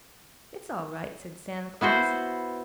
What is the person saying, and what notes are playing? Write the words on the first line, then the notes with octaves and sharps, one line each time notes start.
"It's all right," said Santa Claus.
B3 E4 F#4 C5